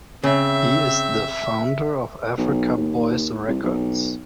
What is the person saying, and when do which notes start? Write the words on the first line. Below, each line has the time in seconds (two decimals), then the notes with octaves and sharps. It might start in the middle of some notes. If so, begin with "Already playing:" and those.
He is the founder of Africa boyz records.
0.24 C#3 C4 E5
2.38 B1
2.77 D#2
3.48 C2
3.63 B1